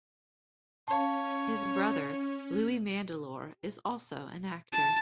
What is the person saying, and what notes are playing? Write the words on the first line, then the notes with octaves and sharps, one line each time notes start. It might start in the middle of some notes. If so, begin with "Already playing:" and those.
His brother, Louis Mandylor, is also an actor.
C#4 C#5 F5 A5
A5